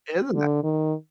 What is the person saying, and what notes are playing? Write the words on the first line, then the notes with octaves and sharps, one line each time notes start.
Isn't that
D3
D#3